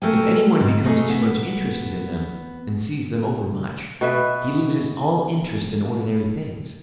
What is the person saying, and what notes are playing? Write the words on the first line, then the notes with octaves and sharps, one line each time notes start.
If any one becomes too much interested in them, and sees them over much, he loses all interest in ordinary things.
A3 A4 A#4 G5 G#5
G#2
G#3 A3 D#4 G#4
B3
B2 B4 E5